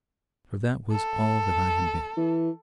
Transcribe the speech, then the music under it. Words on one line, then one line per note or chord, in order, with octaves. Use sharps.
For that was all that I had been.
A4
E3